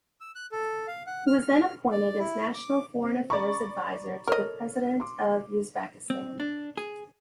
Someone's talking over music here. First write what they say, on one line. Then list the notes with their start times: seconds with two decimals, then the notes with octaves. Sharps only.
He was then appointed as National Foreign Affairs Advisor to the President of Uzbekistan.
0.21 E6
0.36 F#6
0.52 A4
0.87 F5
1.07 F#5
1.27 F6
1.42 F6
1.92 D5
2.19 E4
2.54 D6
3.02 C4
3.30 D5 A#5 B5 C#6
4.27 A4 A#4 C#5 D#5 F6
5.00 C6 D6
6.10 C4
6.40 D4
6.77 G#4